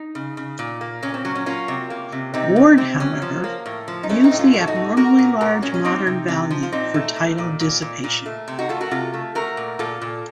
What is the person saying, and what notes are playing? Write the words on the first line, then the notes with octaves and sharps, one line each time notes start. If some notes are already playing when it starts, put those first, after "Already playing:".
Ward, however, used the abnormally large modern value for tidal dissipation.
Already playing: D#4
C#3
C#3
A#2
A#3
A#2 C#4
C4
F#3 C#4
C#4
A#3 C#4 F4
C3
A#3
C3
C3 C4 D#4
C3
C3 C4
F#3 C#4
F3
A#3
A2
F3
D#4
A3 C#4
C4 D#4
A2
C#4 F4
A2 F#4
A4
D#4 F#4
A3
A#3 F#4 A#4
A#2
A#2 F#4 A#4
A#2 C#4
C#4
A#3 C4 D#4
C3
C3
F3
F4
A#2 C4 D#4
A3
A#2
A#2
A#2
A#2
A#2
A3
C3
D#4 F#4
A3 F4 A4
F#4 A#4
C3 F4 A4
A3
A3 F#4 A#4
A#2
A#2 F4 A4
A#2